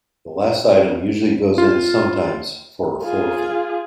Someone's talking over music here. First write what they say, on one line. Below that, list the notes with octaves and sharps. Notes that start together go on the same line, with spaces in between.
The last item usually goes in, sometimes for a forfeit.
F4
F4 G#4